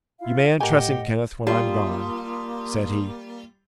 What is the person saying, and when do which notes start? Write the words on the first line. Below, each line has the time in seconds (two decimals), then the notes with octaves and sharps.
"You may untruss him, Kenneth, when I am gone," said he.
0.19 E4 F4 F5
0.60 A2 G4 A#4 D#5 F#5 G#5
1.47 G3 A#3 F4 A5 C6 D#6